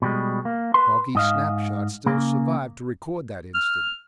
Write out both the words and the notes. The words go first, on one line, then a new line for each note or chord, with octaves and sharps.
Foggy snapshots still survive to record that incident.
B2 G3 G#3
A#3
B4 C6
G#2 D#5 F5
C#3 A#3
F6